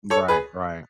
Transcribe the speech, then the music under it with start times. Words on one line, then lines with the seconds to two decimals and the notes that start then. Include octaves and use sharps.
Right, right.
0.10 A4 C#5
0.28 G#4 B4